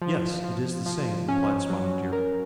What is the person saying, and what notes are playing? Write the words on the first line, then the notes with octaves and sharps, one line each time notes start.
"Yes, it is the same," replied Spotted Deer.
F3
F3
F3
C#4
F#3
A#4